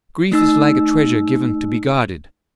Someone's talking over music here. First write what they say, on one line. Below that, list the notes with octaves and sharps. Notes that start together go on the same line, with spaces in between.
Grief is like a treasure given to be guarded.
A3 D#4 E6